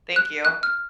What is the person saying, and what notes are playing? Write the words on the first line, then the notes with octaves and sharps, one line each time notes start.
Thank you.
F#6
F#6
F6